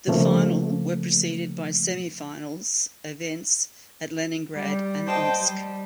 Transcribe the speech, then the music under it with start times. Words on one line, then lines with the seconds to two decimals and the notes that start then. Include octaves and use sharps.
The final were preceded by semifinals events at Leningrad and Omsk.
0.07 C#3 F3 A3 A#3 C4
4.55 G3
5.07 C5 D#5 G5 A5
5.39 G3